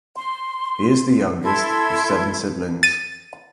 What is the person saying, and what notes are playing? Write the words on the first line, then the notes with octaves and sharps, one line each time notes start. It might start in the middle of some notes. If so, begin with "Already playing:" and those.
He is the youngest of seven siblings.
C6
E4 A4 C6 G#6
A6 D#7